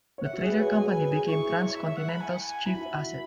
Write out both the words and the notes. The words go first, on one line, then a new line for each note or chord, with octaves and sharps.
The trailer company became Trans Continental's chief asset.
C#5
E5 F#5
F#4
G#4
B4
C#5 G#5
G#4
B4
G#4
E4 C#6
C#5
E5
E5
F#5
B5
G#5
F#5
G#5
E4 B5
F#4
E4